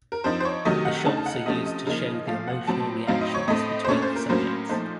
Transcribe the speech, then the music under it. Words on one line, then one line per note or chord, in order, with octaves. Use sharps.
The shots are also used to show the emotional reactions between the subjects.
A#4
F3 C4 D#4 C5
C5
C#5
C3 D#3 F#3 A3 D#5
F#5
C#3 A3 D#4 A5
A5
F#5
C3 F3 A3 C#4 D#5
D#5
C#3 F3 A#3 D#4
A#2 F3 A3 F5
F#5
A2 F#3 C4 A5
A2 F#3 C4 D#4 F5
D#5
C#5
A2 A3 C4 D#5
C5
A#2 A3 C#4 C#5
C5
A#4
A2 F#3 A#3 C#4 C5
A#2 F3 A3 D#4 C5